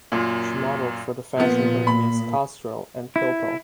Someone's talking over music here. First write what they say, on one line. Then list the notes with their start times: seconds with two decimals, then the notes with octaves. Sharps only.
She modeled for fashion companies "Castro" and "Pilpel".
0.12 F#2 A#2
1.38 A#2 F3 B3
1.87 B5
3.16 E4